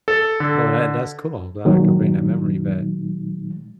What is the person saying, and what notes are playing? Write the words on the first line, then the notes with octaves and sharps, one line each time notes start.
Oh, that that's cool, glad I could bring that memory back.
A4
D3
A#2 D#3 F#3 G#3 D#4